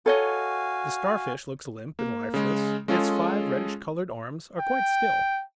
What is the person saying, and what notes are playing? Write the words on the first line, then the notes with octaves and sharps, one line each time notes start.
The Starfish looks limp and lifeless, its five reddish-coloured "arms" are quite still.
F#4 A4 C#5 D#5 F5 G#5
A#3
C#3 G#3
G#3 C#4 F4 G#4 A4
G5